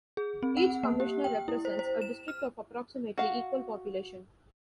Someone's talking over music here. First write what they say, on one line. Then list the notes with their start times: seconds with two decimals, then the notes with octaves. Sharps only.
Each commissioner represents a district of approximately equal population.
0.17 G#4
0.43 C4
0.57 F#5
0.83 A#3
1.00 G4
1.24 G5
1.48 E4
1.65 C5
1.79 C5
2.02 E7
2.28 F6
3.18 F#4 F5